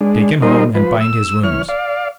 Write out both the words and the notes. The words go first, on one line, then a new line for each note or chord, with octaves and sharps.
Take him home and bind his wounds.
G#3 D4
G3 A#3 D#4 A#4 C5 D#5
F3 B4
E6
E3 C#5 F6
D5 F5